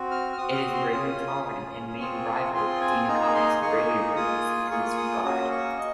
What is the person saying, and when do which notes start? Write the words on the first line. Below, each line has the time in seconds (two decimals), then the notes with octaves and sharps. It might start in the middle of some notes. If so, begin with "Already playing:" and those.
It is radiotolerant and may rival "Deinococcus radiodurans" in this regard.
Already playing: C4 F#4
0.11 F6
0.33 F6
0.37 C4 F#4 D#6
0.52 F6
0.55 D#6
0.74 C6
0.92 C#4 F4 G#4 D#6
1.45 C#4 F4 G#4 D#6
1.99 C4 F4 G#4 C#6
2.54 C4 F4 G#4 C6
2.81 G#5
3.08 A#3 D#4 G#4 A#5
3.35 C6
3.62 A#3 D#4 G#4 C#6
4.16 A#3 F4 G#4 D#6
4.71 A#3 F4 G#4 C#6
4.97 D#6
5.24 A#3 C#4 F#4 D#6
5.51 C#6
5.78 D#5